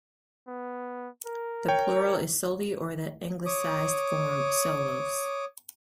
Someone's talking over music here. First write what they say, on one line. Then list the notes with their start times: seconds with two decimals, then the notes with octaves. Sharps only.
The plural is "soli" or the anglicised form "solos".
0.48 B3
1.26 A#4
1.68 C#5 G5
3.46 C#5 D6 D#6